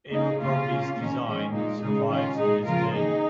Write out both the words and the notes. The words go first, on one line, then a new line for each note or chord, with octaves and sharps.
Abercrombies design survives to this day.
C#3 A#3 D#4 G#4
C#3 A#3 C#4 F4
C#3 A#3
D#3 A#3 C#4
D#3 G#3 C#4
A#2 G#3 A#3 D#4
C#3 G#3 D#4 G#4
D#3 G#3 C#4 F4
A#2 G#3 D#4 G#4
C#3 F3 A#3 F4 A#4
D#3 A#3 D#4 G#4